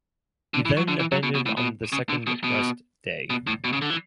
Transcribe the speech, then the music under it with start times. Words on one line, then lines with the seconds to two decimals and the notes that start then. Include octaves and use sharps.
He then abandoned on the second rest day.
0.54 D3
0.65 E3
0.77 F#3
0.88 D3
1.00 E3
1.12 F#3
1.23 B2
1.35 B2
1.46 A2
1.57 B2
1.92 C#3
2.09 D3
2.27 B2
2.44 B2
3.30 B2
3.47 A2
3.64 B2
3.73 C#3
3.82 D3
3.90 E3